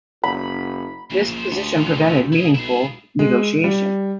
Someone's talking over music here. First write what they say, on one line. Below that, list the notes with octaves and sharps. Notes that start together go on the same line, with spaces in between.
This position prevented meaningful negotiation.
F#1 B5
A#1 E2 C#3
F#2 C5
D2 B3 F4
E4 D#5
B1 E4 G#4
G#3
G3